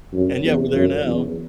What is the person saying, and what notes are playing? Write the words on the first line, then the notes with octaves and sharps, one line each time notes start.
And yeah, we're there now.
F#2
E2
F#2
E2